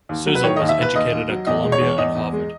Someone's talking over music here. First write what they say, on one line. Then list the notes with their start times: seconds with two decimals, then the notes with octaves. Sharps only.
Souza was educated at Columbia and Harvard.
0.09 D#2
0.27 F#3
0.35 B4
0.43 D#3 C#5
0.56 D#2 D#5
0.69 E5
0.78 D#2 B4
0.95 D#2 D#5
1.13 D#2
1.30 F#3
1.47 E2 D#5
1.63 G#3
1.72 C#5
1.81 E2
1.98 E2 D#5
2.15 E2
2.32 G#3